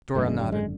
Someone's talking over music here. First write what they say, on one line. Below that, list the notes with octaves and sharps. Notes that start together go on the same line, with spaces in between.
Dora nodded.
G#1 F#2 D3 A3
G#3
G3
G#3